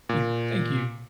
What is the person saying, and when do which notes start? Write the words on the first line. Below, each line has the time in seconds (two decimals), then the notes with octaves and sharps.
Yeah, thank you.
0.09 A#2